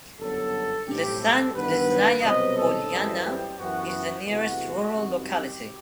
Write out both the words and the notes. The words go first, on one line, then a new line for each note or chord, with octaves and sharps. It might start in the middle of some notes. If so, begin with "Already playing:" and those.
Lesnaya Polyana is the nearest rural locality.
G1 F#2 F#3 B3 A4
B1 A2 E3 G3 C4 G4
A4
G2 D#3 G3 B3 B4
C2 B2 F#3 C4 D#5
A4
F#2 E3 G3 C4
G4
F#2 E3 B3 F#4
E2 C3 E3 A3 F#4
F#2 D#3 G3 C4
G4